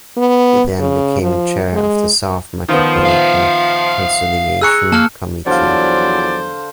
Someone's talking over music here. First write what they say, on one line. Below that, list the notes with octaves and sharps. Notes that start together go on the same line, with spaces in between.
He then became chair of the South Metropolitan Conciliation Committee.
B3
C#3
F3
G#3
D#3 F3 B3
E5 F5
G#4 A#5 C#6 E6 F#6 C#7
A#3 A5 F6
E2 D3 F3 F#3 C5 D5 F5